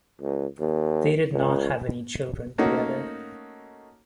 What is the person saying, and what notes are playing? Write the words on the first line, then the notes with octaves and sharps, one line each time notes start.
They did not have any children together.
C#2
D#2
C#2
A3 A#3 C#4 D#4 F#4